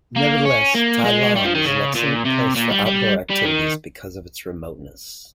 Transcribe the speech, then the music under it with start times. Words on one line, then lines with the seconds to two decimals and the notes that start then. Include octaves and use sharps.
Nevertheless, Tai Lam is an excellent place for outdoor activities because of its remoteness.
0.16 A#3
0.45 C#4
0.75 A#3
1.05 G#3
1.36 G3
1.45 F3
1.55 D#3
1.66 C#3
1.95 A#2
2.26 C3
2.56 A#2
2.70 G3
2.86 G3
3.30 G3
3.45 D#3